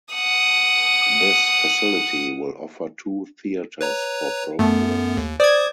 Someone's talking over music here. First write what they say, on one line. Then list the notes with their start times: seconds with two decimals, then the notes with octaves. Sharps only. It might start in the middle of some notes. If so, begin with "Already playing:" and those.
This facility will offer two theaters for programs.
0.14 F#5 D#6
3.81 B4 C#5 A#5
4.59 F#2 A3 B3
5.17 D#2
5.40 C5 D5 D#6 G#6